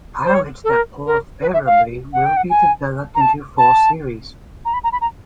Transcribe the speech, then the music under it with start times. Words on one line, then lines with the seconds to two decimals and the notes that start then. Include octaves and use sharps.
Pilots that poll favourably will be developed into full series.
0.25 C5
0.34 C#5
0.64 A4
0.70 A#4
1.07 A#4
1.42 B4
1.54 E5
1.67 F5
2.13 F#5
2.26 G5
2.37 F#5
2.50 G#5
3.15 A#5
3.21 A5
3.58 A5
4.65 A#5
4.74 B5
4.84 A#5
4.92 B5
5.01 A#5